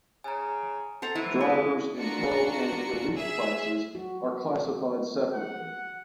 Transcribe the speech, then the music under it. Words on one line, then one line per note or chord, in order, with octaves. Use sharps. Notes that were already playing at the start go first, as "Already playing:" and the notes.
Drivers in Pro and Elite classes are classified separately.
C#3 G#5 A#5
A4 C5 F#5 A#5
E3 E4
G#3 B4
D4 D#4 F4 F#4 A#4 C#7
G#4 E5 E6
F#3 F#4
F#5